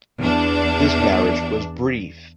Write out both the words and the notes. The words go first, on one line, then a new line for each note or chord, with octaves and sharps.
This marriage was brief.
E2 D4